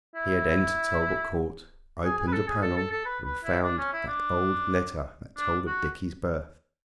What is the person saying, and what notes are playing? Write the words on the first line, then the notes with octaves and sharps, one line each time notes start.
He had entered Talbot Court, opened a panel, and found that old letter that told of Dickie's birth.
E4
G#4
G#4
B4
A4
G#4
A4
A4
A4
B4
B4
E4
D4
C#4
E4
D4
D4
F#4